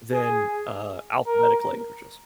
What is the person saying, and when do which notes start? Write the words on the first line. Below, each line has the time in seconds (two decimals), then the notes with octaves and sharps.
then, uh, alphabetic languages.
0.13 G#4
1.26 A#4